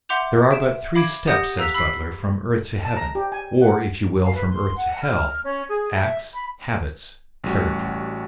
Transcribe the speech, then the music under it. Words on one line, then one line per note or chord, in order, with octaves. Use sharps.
There are but three steps, says Butler, from earth to heaven, or, if you will, from earth to hell--acts, habits, character.
E5 F#5 C6 D6 G6 F7
E5 D7 E7
F5 B5 D6 G#6 D7
G4 F#5 D#6 G6 A#6 C#7
F5 A#5 E6 F#6 B6 F7
B5 E6 B6 C7
A5
A#5
G4
G#5
F#5
F5
B4
C6
F#5
F6
C#4
G#4
E5
B5
A1 G3 F#4